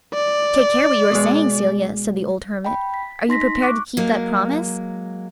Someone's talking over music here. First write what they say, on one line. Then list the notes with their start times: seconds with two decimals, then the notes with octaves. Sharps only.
"Take care what you are saying, Celia," said the old hermit; "are you prepared to keep that promise?"
0.14 D5
1.12 B2 G#3
2.65 G5 B5
2.94 B6
3.29 D#4 C6 A#6 B6
3.62 C#6 D6 F#6
3.97 F#3 G#3 A#3